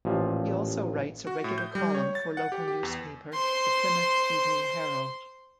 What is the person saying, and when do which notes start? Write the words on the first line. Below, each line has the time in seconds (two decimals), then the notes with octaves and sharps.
He also writes a regular column for local newspaper the Plymouth Evening Herald.
0.05 A1 A#2 F3
1.27 F#4
1.44 A2
1.58 G6
1.75 G3
1.95 C#5
2.15 A6
2.37 F#5
2.52 G4
2.68 G4
2.83 E2
3.34 C5 C6